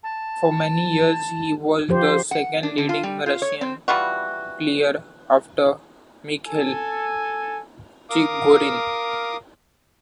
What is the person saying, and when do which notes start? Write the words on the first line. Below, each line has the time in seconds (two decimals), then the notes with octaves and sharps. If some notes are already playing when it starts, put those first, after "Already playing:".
For many years he was the second leading Russian player after Mikhail Chigorin.
0.04 A5
1.89 F3 G4 C5
2.31 F#5
2.63 D4
2.78 D3
2.89 F4
3.03 G3
3.26 F4
3.42 C#5
3.61 C4
3.88 E3 G3 F4 F#4
6.47 A4 G#5
8.09 A#4 F5 D6 D#6